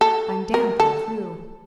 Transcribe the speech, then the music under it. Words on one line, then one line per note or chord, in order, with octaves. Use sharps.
I'm damp all through.
A4
A#4
A4